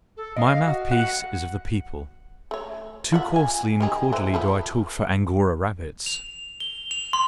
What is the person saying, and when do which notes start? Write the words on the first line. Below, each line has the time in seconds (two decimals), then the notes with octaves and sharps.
My mouthpiece--is of the people: too coarsely and cordially do I talk for Angora rabbits.
0.17 A4
0.37 D#5 F5
0.66 F#4
0.91 F#5
2.51 A3 C#5
3.12 F4 E5 F#5
3.36 G#5
3.80 D#3 G4 G#4
4.13 E3 A3 C5
4.34 F3 A3 B3
6.06 F7
6.60 G7
6.91 F7
7.13 C6